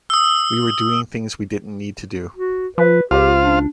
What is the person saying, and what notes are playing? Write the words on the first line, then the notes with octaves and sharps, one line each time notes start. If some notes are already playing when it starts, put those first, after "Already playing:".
We were doing things we didn't need to do.
D#6 E6
F#4
F3 B4
C#2 F4 G4 C5 F5
D4